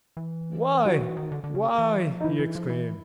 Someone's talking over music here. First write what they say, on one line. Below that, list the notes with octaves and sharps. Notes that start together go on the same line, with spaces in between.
"Why--why!" he exclaimed.
E3
F3 F#4
E3
D#3
D3
D3
C#3
E3
F3
D#4
E3 E4
E3
F3
E3